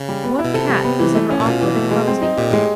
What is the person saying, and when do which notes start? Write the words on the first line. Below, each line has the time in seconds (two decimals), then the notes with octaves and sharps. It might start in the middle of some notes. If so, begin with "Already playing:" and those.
What Cat was ever awkward or clumsy?
Already playing: C#3
0.09 G3
0.24 B3
0.39 E4
0.44 B2
0.54 C3 A4
0.69 G3
0.85 B3
0.99 E3
1.15 A3
1.30 C#4
1.40 A#2
1.45 B2 F4
1.61 E3
1.76 A3
1.91 G#3
2.07 C4
2.22 D#4
2.37 A#2 G4
2.51 A2 G#3